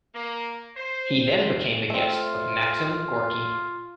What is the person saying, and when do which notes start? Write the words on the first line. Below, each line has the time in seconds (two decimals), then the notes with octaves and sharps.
He then became the guest of Maxim Gorky.
0.13 A#3
0.77 C5
1.90 A3 C4 F4